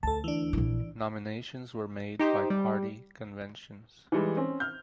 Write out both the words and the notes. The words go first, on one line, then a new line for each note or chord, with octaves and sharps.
Nominations were made by party conventions.
D2 A4 A5
E3 D4
A#1 E4
D#4 G4 C5
G3
E3 G3 G#3
C4 C#4
F6 G6